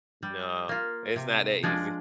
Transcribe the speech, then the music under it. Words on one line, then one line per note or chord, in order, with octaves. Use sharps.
No, it's not that easy.
G3
A#3 F4
C3
F3 G#3 D4 G#4